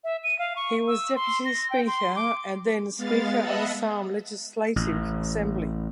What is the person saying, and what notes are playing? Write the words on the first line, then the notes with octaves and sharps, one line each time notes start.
He was Deputy Speaker and then Speaker of Assam Legislative Assembly.
E5
D#7
F5
C#6
E6
C6
A#6
G5
C6
D6
G#3 B3 F5 A6
D#5 E5 F#5 A5 B5
A1